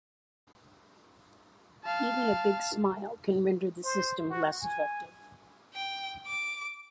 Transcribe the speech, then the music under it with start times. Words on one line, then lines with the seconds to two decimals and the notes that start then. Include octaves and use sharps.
Even a big smile can render the system less effective.
1.84 F5 A5
3.84 C5
4.30 F#4
4.61 G#5
5.74 G5
6.26 D6